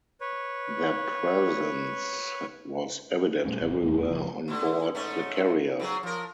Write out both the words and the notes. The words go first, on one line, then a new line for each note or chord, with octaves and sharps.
Their presence was evident everywhere on board the carrier.
B4 C#5
A#2 G3 A3 C#4
G#1 C3
D1 E2 F3 A3
F#1 C#2 F3
B2 D3
G#2 A3 C#4
C#3 F#3 G#4
F3 A#4